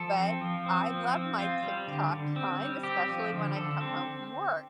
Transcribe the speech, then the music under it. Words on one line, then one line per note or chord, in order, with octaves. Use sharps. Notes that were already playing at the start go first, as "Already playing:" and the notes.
but I love my TikTok time, especially when I come home from work,
Already playing: F3 A4
C4
F3
C4
F3
C4
C4 F4
G3
D3
D3
C4
G3
C4 G4
F3
D3
D3 A4
C4